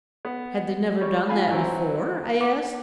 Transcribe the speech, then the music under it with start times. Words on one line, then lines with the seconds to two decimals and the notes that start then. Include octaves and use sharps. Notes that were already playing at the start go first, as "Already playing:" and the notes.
"Had they never done that before?" I asked.
0.25 B3
1.01 G3 C#5
1.29 F4 F5 G#5 B5
1.50 E3 F#3 C4 E4
2.41 D6